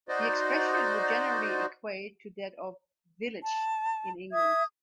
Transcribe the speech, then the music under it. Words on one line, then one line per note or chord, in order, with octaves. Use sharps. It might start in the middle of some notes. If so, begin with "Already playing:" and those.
The expression would generally equate to that of "village" in England.
D#4 F#4 C5 D5 D#5
A5
E5 D#6 G#6